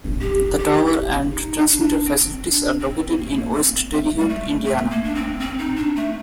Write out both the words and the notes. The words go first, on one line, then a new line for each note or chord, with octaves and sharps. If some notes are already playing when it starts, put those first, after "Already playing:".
The tower and transmitter facilities are located in West Terre Haute, Indiana.
G4
G4
D#4
D4
C4
D4
C4
A#3
A3
A#3
C4
A3
G3
A3
A3
A#3
D4
C4
C4
D#4
D4
A3